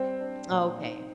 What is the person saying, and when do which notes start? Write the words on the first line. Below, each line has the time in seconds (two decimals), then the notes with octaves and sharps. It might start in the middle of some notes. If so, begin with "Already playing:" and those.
Oh, okay.
Already playing: G3 C4
0.20 D4
0.50 A#2
0.78 D#4